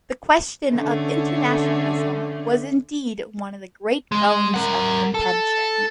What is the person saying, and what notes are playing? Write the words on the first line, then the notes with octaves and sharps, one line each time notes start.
The question of internationalism was indeed one of the great bones of contention.
D3 A3 C#4
G#3
A#4 F#5
A4